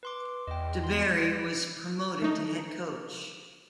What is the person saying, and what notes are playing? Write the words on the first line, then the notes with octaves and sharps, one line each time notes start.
DeBerry was promoted to head coach.
B4 C6 D6
E2 D#5 G5
C6
A3 D#4